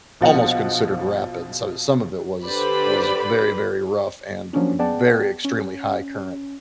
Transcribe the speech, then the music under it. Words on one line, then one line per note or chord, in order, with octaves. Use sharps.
almost considered rapid, so some of it was was very, very rough and very extremely high current,
A#1 B2 F3 D#5 F#5
D3 G4 B4 C5 D5 B5
F3 F#3 A#3 C#4 D4
B3 G#4 D5 F#5 G5 A5
C#4